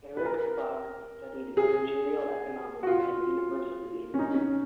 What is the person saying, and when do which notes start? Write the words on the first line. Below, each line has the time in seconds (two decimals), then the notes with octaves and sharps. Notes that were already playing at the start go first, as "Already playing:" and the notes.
Erich Buck studied managerial economics at university in Munich.
0.17 B4
0.26 A#4
1.57 G#4
2.83 F#4
2.87 F4
4.14 C#4
4.19 D#4
4.34 C#4